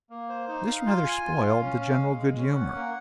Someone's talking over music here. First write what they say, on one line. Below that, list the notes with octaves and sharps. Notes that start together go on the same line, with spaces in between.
This rather spoiled the general good humor.
A#3
C5
D#4
F5
F4
G#5
F4
F5
C#4
F5
G#3
G#3
C#4
F#5
A#3